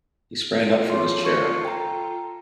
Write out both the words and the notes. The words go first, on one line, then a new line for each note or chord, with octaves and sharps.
He sprang up from his chair.
F4 A4
G#4 C#5 C6
C#6 C#7
G5 A#5